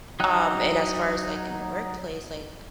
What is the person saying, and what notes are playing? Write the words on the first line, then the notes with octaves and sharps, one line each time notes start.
um, and as far as, like, in the workplace, like,
F#3 D#4 G5 F#6